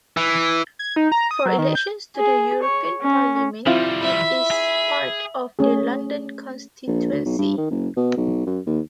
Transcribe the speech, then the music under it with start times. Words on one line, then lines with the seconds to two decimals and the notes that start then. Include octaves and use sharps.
For elections to the European Parliament it is part of the London constituency.
0.17 E3
0.79 G#6
0.96 D#4
1.12 A#5
1.31 D#6
1.46 F#3
1.58 D#3
1.75 G6
2.16 G#4
2.63 C#5
3.01 C#4
3.66 F3 G3 C4 E4 F4
4.01 E5 B5
4.51 G#4
5.59 A3 C#4 G#4
6.87 A#1
7.12 D2
7.25 B1
7.38 G2
7.58 D#3
7.71 F#1
7.97 B2
8.17 B1
8.47 F#2
8.67 D#2